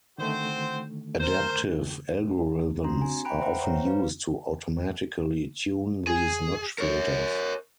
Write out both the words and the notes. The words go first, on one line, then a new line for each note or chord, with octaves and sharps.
Adaptive algorithms are often used to automatically tune these notch filters.
D3 D#3 A3 C4 F#4 C5
A#4 C5
C4 D4 F#4 A#5 C6
G#5
G5 A#5 B5 F#6 D7
B4 C5 E5 F#5 G5
C5 C#5 A#5
B4 F5
G#4
A#4 C#5